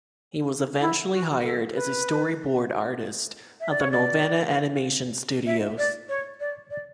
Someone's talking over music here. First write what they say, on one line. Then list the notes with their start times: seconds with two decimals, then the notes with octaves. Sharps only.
He was eventually hired as a storyboard artist at the Nelvana Animation Studios.
0.80 E4
1.12 F#4
1.42 A4
1.74 B4
3.61 E5
3.70 D5
3.81 C#5
3.91 D5
5.47 E5
5.78 D5
6.09 C#5
6.40 D5
6.71 D5